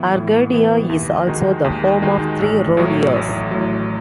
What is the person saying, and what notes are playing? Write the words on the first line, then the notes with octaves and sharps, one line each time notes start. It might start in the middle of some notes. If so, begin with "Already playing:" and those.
Arcadia is also the home of three rodeos.
Already playing: A2 E3 B3
A2
E3 B3
D#2
D#3 G#3 D#4 F#4
D#2
D#3 G#3 D#4 F#4
A1
A2 F#3
A1
A2 F#3